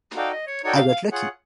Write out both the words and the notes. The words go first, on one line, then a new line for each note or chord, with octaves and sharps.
I got lucky.
D#4 F#4 A4 D5 F5 G5
D#5
C#5
D#4 F#4 A4 C#5 D5 G5
F5
F5
F4 G#4 C#5 F#5